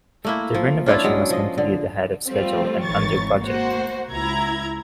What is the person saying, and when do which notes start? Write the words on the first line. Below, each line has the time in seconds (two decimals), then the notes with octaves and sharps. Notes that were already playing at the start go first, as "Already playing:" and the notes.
The renovation was completed ahead of schedule and under budget.
0.25 A3 A#3 E4
0.54 F3
0.86 C#4 D4 E4 F4
1.04 F#3 G#3
1.30 F3 D#5
1.58 D3
2.26 F3 G3 A3 C4 F4
2.84 G#1 D#3 E3 C#5 C#6 A6
3.40 A#3 F#4 C5
4.11 C#2 E4 A#5 G#6